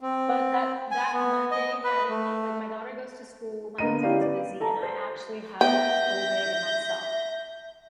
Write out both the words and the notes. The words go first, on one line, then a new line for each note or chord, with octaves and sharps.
but that that Monday having like, my daughter goes to school, my husband's busy and I actually have that full day to myself.
C4
G#5
B3
D#5
B4
A3
D3 A#3 B3 D#5 A#5 D#7
C#4 E4 G4 D5 F5
B4 D5
A4 A5 A#5
C5
B3 E5 G5 G6 A#6